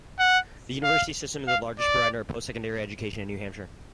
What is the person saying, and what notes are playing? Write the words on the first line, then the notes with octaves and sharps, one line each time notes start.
The University System is the largest provider of post-secondary education in New Hampshire.
F#5
F5
F5
D5